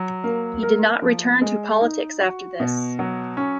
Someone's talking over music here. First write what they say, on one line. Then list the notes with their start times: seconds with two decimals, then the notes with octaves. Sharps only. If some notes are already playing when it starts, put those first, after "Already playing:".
He did not return to politics after this.
Already playing: F#3
0.24 A#3
0.63 A#4
1.02 F3
1.42 G#3
1.81 D#4
2.20 F#4
2.60 B2
2.99 F#3
3.37 C#4